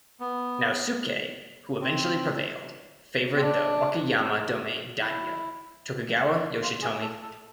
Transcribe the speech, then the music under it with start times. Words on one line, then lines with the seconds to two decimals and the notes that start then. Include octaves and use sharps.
Naosuke, who eventually prevailed, favored the Wakayama Domain daimyo Tokugawa Yoshitomi.
0.20 B3
1.81 C4
3.36 C4
3.41 D4
5.01 E4
6.62 F4
6.82 G#4
7.01 A4
7.22 A4